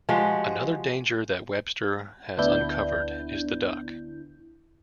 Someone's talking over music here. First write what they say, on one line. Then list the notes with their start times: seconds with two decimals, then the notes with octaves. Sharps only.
Another danger that Webster has uncovered is the duck.
0.09 F3 G#3 F#4 G4
2.38 D2 B3 D4 E4 G6